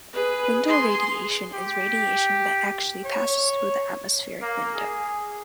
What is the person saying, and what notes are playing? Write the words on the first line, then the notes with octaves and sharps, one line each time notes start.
Window radiation is radiation that actually passes through the atmospheric window.
G#4 B4
G#4 C6
G4
C#5
A#3
G#4